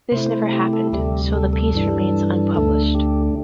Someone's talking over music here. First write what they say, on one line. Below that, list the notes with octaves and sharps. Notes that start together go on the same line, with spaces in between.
This never happened, so the piece remains unpublished.
C3 A3 E4 C5
G4
A4
D2 C3 G3 G4
A4
A4
G2 E3 G3 D4
D2 D3 A3 D4 A4
G4